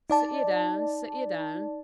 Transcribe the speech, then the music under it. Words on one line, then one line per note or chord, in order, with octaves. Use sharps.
'Sit ye down, sit ye down.
D#4 D5 A5